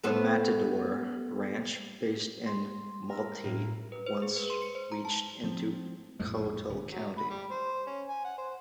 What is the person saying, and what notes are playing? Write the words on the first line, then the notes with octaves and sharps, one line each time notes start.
The Matador Ranch, based in Motley once reached into Cottle County.
A3 B3 C5
C6
A#4 E6
A2 A#3
B4
C5
G#4
B4
C6
C#7
C5
A#5
A5
F3 C4
A#1 F2 A2 G#3
D#1
F#3
B5
G3
C5
C#4
G#5
F#5
C5